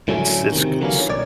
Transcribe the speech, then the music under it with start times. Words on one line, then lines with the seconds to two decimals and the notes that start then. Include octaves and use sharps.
it's it's g it's
0.08 A2 D3 F#3 A3 B3 C#4
0.52 C3 D#3
0.81 D3 E3 F#3 G#3 A#3 C#4
1.09 B1 C#5 D5